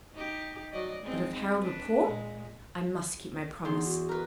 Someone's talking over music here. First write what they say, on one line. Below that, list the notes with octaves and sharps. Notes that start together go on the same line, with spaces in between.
But, if Harold were poor-- I must keep my promise.
D#4 G4
F#3 D5 D#5
G#3 C4 D#4
D4 B4
A#2 G#3
E2 D#4 C6
F#4
A#4 B4